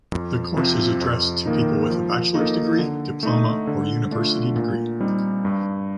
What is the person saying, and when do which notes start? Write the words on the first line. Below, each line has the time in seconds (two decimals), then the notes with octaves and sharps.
The course is addressed to people with a bachelor's degree, diploma or university degree.
0.12 F2
0.57 C3 F3 C4
1.01 F2
1.46 D#3 A#3 D#4
1.91 F3
2.34 A#3 D#4 A4
2.78 D3
3.23 A3 D#4
3.67 D3
4.11 A3 D4 F4
4.56 A#2
5.00 G3 C4 D#4
5.45 G2